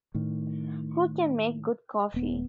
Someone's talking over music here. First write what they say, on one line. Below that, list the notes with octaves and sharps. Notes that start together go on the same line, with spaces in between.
Who can make good coffee?
A2 D#3
D#1 B3